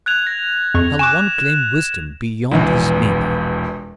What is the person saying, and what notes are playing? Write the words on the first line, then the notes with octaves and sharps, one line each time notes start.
Shall one claim wisdom beyond his neighbor?
F#6 G#6 F7
A#6
F2 C#6
G#5 C#6 D6 F#6 E7
E1 A#1 E2